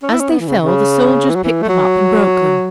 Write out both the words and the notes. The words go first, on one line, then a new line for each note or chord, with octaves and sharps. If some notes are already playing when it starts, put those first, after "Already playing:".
As they fell, the soldiers picked them up and broke them.
C#4
E4
C#4
B3
E3
C#3
C#3
E3
F#3
E3
A3
F#3